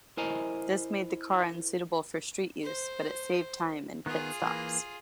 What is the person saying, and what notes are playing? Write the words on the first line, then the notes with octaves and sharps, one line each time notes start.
This made the car unsuitable for street use, but it saved time in pitstops.
E4 A#4 C5 D#5 G#5 A#5
C5
D#3 B3 F4 G#4
E3 A#3